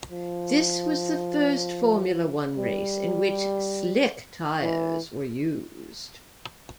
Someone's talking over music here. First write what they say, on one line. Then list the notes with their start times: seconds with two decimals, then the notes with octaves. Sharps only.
This was the first Formula One race in which slick tyres were used.
0.11 F3
2.57 G3
4.62 E3